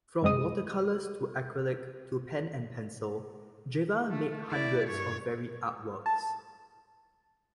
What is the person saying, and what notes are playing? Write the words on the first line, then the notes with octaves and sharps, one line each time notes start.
From watercolors to acrylic to pen and pencil, Geva made hundreds of varied artworks.
C2 F#2 G#3 C4 D#5 D#6
A3
E4 D5
G2 C#5
A5